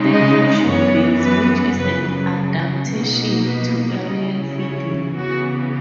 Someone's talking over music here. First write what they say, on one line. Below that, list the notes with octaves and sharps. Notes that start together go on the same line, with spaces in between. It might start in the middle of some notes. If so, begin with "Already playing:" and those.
They have short bills, which is an adaptation to aerial feeding.
Already playing: C#3 G#3 D#4
D#5
F#2 E3 B3 C#5
B4
F#2 C#3 F#3 B4
B2 A#3 D#4
B4
C#3 F#3 C#4 E4 D#5
C#5
C#3 E3 B3 F#4